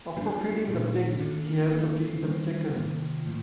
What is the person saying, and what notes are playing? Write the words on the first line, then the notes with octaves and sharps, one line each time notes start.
After feeding the pigs, she has to feed the chickens.
D3 G3 A#3 D4 F4 G4
F4
G4
G4
A#2 A3 D#4
D#3 A#3 D4 F4 A4
A4
A#4
A#4
D#3 A#3 D#4 A4
D#3 G3 D4 F4 C5
C3 D#3 A#3 F4
A2 F3